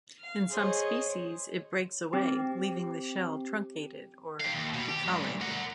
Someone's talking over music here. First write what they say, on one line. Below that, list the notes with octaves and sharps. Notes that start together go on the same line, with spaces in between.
In some species it breaks away, leaving the shell truncated or decollated.
F5 F6
G#4 C5 C#5 D#5
C4 G4
G4 F5
D#2
B2
G4
D2 G2
A#4 F#5